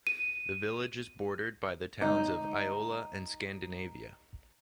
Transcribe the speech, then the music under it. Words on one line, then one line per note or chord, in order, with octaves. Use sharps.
The village is bordered by the towns of Iola and Scandinavia.
D#7
D3 G#3 D#4 G6